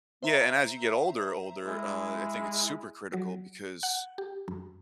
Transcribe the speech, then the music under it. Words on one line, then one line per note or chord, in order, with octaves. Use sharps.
yeah, and as you get older, older, uh, I think it's super critical because
C5 E5 A#5
G#3 E4
F#3
F#5
G4
F#2